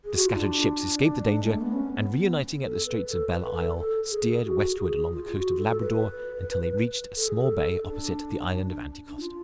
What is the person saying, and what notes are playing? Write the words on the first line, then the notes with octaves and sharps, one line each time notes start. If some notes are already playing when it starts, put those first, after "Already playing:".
The scattered ships escaped the danger, and, reuniting at the Straits of Belle Isle, steered westward along the coast of Labrador, till they reached a small bay opposite the island of Anticosti.
G#4
F#4
F4
D4
G#3
A3
B3
C#4
B3
A4
B4
A4
B4
A4
A4
G#4
G#4
F#4
F#4
G#4
F4
F#4
A4
B4
A4
G#4
A4
D4
D4
F4